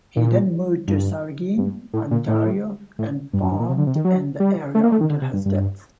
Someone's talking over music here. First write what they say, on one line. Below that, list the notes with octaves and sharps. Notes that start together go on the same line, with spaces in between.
He then moved to Saugeen, Ontario and farmed in the area until his death.
A#2
G2
G2
A2
A#2
A2
A2
G2
F#2
G2
A#2
C3
D3
C3
D#3
F#3
G3
A3
A#3
A3
D#3
D3
C3
G2
G2